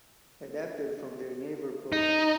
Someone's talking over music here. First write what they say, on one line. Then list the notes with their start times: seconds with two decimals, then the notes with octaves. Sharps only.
Adapted from their Naver Profile.
1.92 D#4